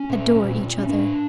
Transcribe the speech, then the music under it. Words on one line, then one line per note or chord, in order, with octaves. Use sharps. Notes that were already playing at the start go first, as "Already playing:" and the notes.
Adore each other.
Already playing: C#4
A#2
A#2
A#2
C#4
A2 D4